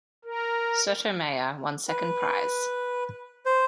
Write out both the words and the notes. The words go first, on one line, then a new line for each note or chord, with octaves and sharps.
Sotomayor won second prize.
A#4
B4
C5